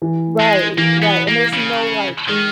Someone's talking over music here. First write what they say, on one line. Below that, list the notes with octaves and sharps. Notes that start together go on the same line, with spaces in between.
Right, right, and there's no like
E3
G#3
E3 A#3
B3
A#3
C#3
D#3 G#3